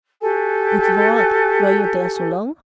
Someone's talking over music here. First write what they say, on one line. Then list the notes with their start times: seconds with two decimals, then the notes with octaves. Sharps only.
"Good Lord--were you there so long?"
0.21 F#4 G4 A4 G#5